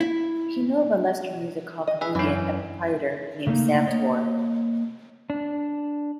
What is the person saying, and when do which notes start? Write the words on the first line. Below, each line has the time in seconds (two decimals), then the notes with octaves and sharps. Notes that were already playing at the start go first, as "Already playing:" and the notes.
He knew of a Leicester music hall comedian and proprietor named Sam Torr.
0.01 E4
1.87 D#5
2.01 G#4 B4 E5
2.15 F#2 E3 C#4
3.47 C#3 A3 A#3 D#4
3.87 A#3 C#5 D#5
5.30 D4